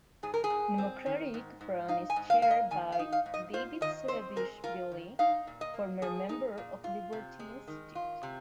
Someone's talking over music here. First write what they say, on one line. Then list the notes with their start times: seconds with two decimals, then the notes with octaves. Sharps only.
Democratic Front is chaired by David Zurabishvili, former member of Liberty Institute.
0.23 G#2 G#4
0.34 A#4
0.44 G#4
0.50 G#2
0.78 C4
1.06 D#3
1.34 G#2
1.61 G#2
1.88 D#4 F5
2.10 G#5
2.16 G#2
2.30 F5
2.42 A#3 F5
2.51 D#5
2.71 D#3 G#5
2.92 F5
2.99 D#4
3.13 F5
3.26 G#2
3.34 D#5
3.53 F4 C5
3.81 D#3 D#5
4.08 C4 C5
4.36 G#3 A#4
4.64 F4 A#4
4.92 D#3
5.19 D#4 F5
5.47 A#2
5.61 D#5
5.74 A#3
6.02 F3 G#4
6.29 D#4
6.58 A#2
6.84 F4
7.13 C3
7.39 G#3
7.68 D#3
7.95 F4
8.23 C3